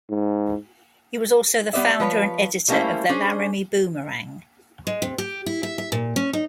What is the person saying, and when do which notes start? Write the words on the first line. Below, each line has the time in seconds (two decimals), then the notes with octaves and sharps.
He was also the founder and editor of the "Laramie Boomerang".
0.10 G#2
1.73 G3 B3 B4 D5 E5
2.00 F3 B4 C#5
2.68 G3 A3 A#3 C#4 E4 C5
3.09 C#4 D4 G#4 C5
4.87 G#3
5.02 C3
5.18 G4
5.46 E4
5.63 E5
5.78 E5
5.92 A#2
6.16 C#4
6.33 D#4